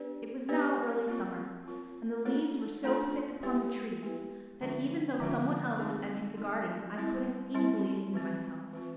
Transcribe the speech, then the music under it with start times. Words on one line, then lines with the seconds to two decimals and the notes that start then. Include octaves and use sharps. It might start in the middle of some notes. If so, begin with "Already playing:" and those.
It was now early summer, and the leaves were so thick upon the trees that even though some one else had entered the garden I could have easily hidden myself.
Already playing: B3 D4 G4 B4 D5
0.49 B3 D4 G4 B4 D5
1.08 C4 F4 A#4 C#5
1.66 C4 F4 A#4 C#5
2.25 A3 D4 F4 A4 C#5
2.84 A3 D4 F4 A4 C#5
3.43 G#3 B3 E4 G4 B4
4.02 G#3 B3 E4 G4 B4
4.61 D3 F3 G#3 C#4 F4
5.20 D3 F3 G#3 C#4 F4
5.78 C4 D#4 G#4
6.37 C4 D#4 G#4
6.96 G3 C4 E4
7.54 G3 C4 E4
8.14 E3 G#3 C4 F4
8.73 E3 G#3 C4 F4